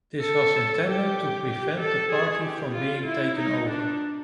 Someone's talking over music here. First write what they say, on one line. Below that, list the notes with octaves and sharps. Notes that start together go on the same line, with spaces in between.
This was intended to prevent the party from being taken over.
A4
G4
G4
A4
G#4
G4
F4
E4
D#4
D4